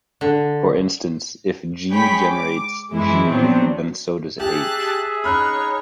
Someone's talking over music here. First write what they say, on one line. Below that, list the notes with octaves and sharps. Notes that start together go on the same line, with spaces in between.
For instance, if "g" generates "G", then so does "h".
D3
G#3 G#4 C#5 G5 B5 B6
D6
F#2 E3 G#3 E4
A#2 F3 F#3 B3 C4 D4
G4 G#4 E5 A5 F#6
D#4 C#5 B5 F6 F#6